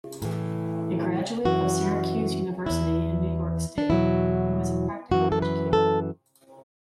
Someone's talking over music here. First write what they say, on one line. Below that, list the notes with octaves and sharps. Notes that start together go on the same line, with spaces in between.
A graduate of Syracuse University in New York state, he was a practical educator.
A2 E3
F#2 E3 F#4
E2 E3 E4
D4
E2 B2 F#3 E4
F#2 E3 F#4
A4
B4
A4